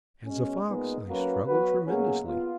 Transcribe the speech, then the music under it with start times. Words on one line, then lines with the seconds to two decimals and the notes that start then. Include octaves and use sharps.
As a fox, I struggled tremendously.
0.25 B2 G#3 C#4
0.66 A#2 G#3 B3 D#4 G#4
1.06 F#3 A#3 C#4 F#4 B4
1.46 F#3 B3 F#4 B4
1.87 B2 F#3 A#3 C#4 G#4
2.28 B3 F4